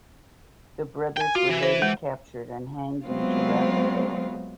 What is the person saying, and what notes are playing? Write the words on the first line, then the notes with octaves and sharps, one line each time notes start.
The brothers were later captured and hanged in Tirupathoor.
G5 G#5
F4 F#4
E3
C5
G#3
F#3 G#3 A3 B3 C4 F4